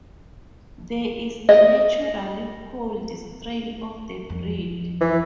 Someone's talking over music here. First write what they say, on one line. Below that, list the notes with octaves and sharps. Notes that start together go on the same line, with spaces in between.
There is a naturally polled strain of the breed.
D#5
F2
E3